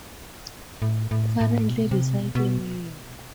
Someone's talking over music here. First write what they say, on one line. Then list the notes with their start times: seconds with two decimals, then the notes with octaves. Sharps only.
He currently resides in New York.
0.82 A2
1.11 A2
1.41 A2
1.70 B2
1.91 C3
2.13 B2
2.35 B2